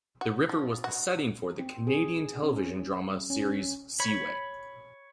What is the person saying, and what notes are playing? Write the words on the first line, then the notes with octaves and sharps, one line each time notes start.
The river was the setting for the Canadian television drama series Seaway.
F#4
F3
F#4
C4
G#4
C#4
C#4
C#5 B5